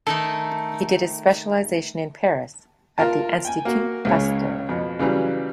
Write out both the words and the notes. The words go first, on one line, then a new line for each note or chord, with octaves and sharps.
He did his specialization in Paris at the Institut Pasteur.
D#3 A3 D#4 A4
F4 A#4 A5
G5 G#5
A#3 F#4
C#2 C#3 C#5
F2 B2
C#3 E3 F#3 G3